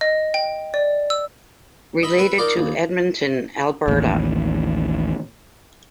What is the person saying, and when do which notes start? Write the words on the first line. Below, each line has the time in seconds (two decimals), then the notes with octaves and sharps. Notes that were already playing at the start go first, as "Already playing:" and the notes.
Related to Edmonton, Alberta.
0.01 D#5
0.34 G5
0.74 D5
1.10 E6
2.03 D#5 E5 B5
2.18 B4 E5
2.38 D#4 F4 A#4 D5
2.57 A#1 D#2
3.88 A1 D#2